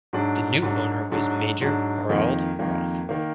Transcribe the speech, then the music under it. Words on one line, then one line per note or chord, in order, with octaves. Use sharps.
The new owner was major Harald Rothe.
G#2 F#3 D4
G#2 F#3 D4
G#2 F#3 D4
G#2 F#3 D4
F2 D#3 A#3
F2 D#3 A#3
D#3 A#3